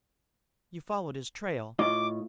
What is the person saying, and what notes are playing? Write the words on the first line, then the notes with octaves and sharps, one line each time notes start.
"You followed his trail?"
A2 F4 D#5 D6